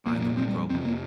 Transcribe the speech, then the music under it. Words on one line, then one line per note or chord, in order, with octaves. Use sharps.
find the root problem?
C2 A#2 A#3
A#3
C4
G3
F2 C3 C4
A#3